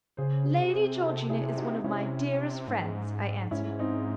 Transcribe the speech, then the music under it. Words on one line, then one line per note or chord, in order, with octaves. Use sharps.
'Lady Georgina is one of my dearest friends,' I answered.
C#3 G#4 C5
G#4 C5
C3
G#4 C5
F#4 A4
E4 G#4
D#4 F#4
C3 C#4 E4
G#2
G#2 C#4 E4
C4 D#4